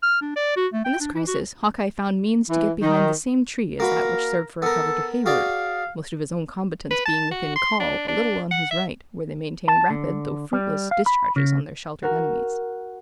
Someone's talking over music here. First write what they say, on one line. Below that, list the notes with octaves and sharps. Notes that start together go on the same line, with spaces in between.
In this crisis, Hawkeye found means to get behind the same tree as that which served for a cover to Heyward; most of his own combatants being within call, a little on his right, where they maintained rapid, though fruitless, discharges on their sheltered enemies.
F6
D4
D5
F#4
A3
G5
D4
E3
F#4
E3
D#3
A#3 F#4 A#4 B4
B3 A4 A#4
F#4 G#4 D5 F5
B4
A5
F#4
C6
D4
D4
F#5
E5
A5
D3
G3
F5
B5
C#3
F#4 A#4